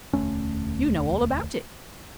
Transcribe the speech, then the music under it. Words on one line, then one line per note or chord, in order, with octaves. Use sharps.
You know all about it.
E1 D2 A3 C#4